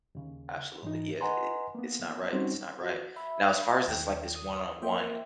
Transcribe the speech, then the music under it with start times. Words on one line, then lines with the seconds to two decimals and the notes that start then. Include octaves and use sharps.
absolutely. Yeah, it it's not right it's not right. Now as far as this, like, this one-on-one,
0.15 D#2 C#3
0.83 G#2 E3 D#4
1.21 B4 D#5 F#5 G#5 A#5 C6
1.75 A#3 B3
2.33 G3 C4 C#4 D#4 F#4 C5
2.81 F#4
3.16 E5 B5
3.88 D#2 G5
4.36 D#6
4.82 A#3 C5 E5 G5